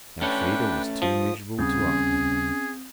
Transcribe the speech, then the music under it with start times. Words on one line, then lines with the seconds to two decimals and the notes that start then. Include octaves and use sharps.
Elfrida was too miserable to argue.
0.21 A3 C#4 D4 B4 C#5 G5
1.02 F3 D#6
1.59 D#2 C#3 G3 C4 C#4 G#4 D#6 G6